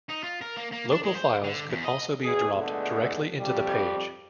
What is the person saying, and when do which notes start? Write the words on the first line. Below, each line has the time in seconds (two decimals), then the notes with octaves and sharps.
Local files could also be dropped directly into the page.
0.09 D#4
0.23 F4
0.41 A#4
0.57 A#3
0.72 A#3
0.92 D4
1.03 G#3
1.15 C5
1.44 D3
1.69 E2
1.84 D#5
2.23 E2 B2 G#4
2.57 A#2 D3 G#3 A3 B3
3.38 F2 G3